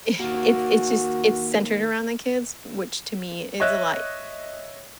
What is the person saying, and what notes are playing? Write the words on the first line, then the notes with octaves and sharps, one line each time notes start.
i it's it's just it's centered around the kids, which to me is a lot
D#3 A#3 F#4
C#5 D#5 E5 F#6